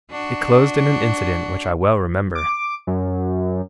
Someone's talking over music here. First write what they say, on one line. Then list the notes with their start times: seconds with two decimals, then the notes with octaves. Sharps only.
It closed in an incident which I well remember.
0.11 D4 F#4
2.35 D6
2.87 F#2